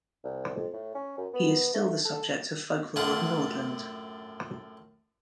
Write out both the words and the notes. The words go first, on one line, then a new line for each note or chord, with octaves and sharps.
He is still the subject of folklore of Nordland.
C2
F2
A2
C#4
F#2
B3
A3
A4
F#2 A2 D4 F4 F#5 D#6